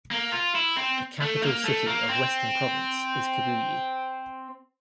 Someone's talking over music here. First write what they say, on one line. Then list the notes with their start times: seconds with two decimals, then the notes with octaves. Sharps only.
The capital city of Western Province is Kibuye.
0.11 A#3
0.32 F4
0.55 E4
0.77 C4
1.21 A3
1.43 A#3
1.65 A3
1.87 A#3
2.09 C4